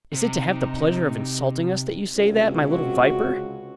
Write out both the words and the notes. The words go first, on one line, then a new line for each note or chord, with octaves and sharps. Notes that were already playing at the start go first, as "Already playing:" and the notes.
"Is it to have the pleasure of insulting us that you say that, my little viper?"
C3 D#4
C#2 C3 F#3 C#4
F#4